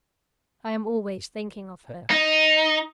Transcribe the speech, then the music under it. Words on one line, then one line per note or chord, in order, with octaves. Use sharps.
I am always thinking of her.
D#4